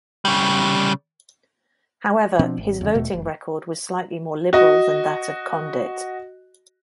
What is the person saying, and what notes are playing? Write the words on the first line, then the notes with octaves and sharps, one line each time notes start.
However, his voting record was slightly more liberal than that of Condit.
C#3 G3
B2 F3 C4 D4
G#1
E2 C#3
D#1 E2 B2 A3
F1
F#4 D#5